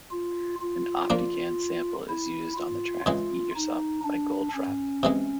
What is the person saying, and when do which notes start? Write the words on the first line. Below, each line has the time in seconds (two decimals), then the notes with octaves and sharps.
An Optigan sample is used on the track "Eat Yourself", by Goldfrapp.
0.11 F4
0.61 F4
1.10 F3 A#3 D4
2.08 E4
2.57 F4
3.06 C#3 E3 G#3 F4
3.56 D#4
4.04 D4
4.54 C#4
5.03 C3 E3 G#3